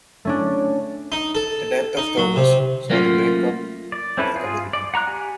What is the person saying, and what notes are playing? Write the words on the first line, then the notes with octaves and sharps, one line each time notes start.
The death of Thomas saw the break-up of the community.
A3 C#4 D4
D#4
A4
D#4
F#3
C3
F#3 A3 A#3 C#4 D#4 F4
D5
C4 C#4 E4 A4 B4
F4 G#4
D5
F#5 A#5 C#6 F#6
G4 G#5